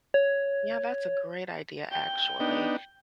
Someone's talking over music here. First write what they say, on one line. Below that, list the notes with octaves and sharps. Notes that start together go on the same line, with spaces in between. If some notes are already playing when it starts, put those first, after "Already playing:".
Yeah, that's a great idea, actually.
C#5
G5
B3 D4 D#4